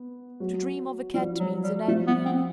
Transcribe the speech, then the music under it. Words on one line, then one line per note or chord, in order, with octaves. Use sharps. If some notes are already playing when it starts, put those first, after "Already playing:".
To dream of a cat means an enemy.
Already playing: B3
F#3
F3 G3
F#3
G3
F3 A3
B3
C4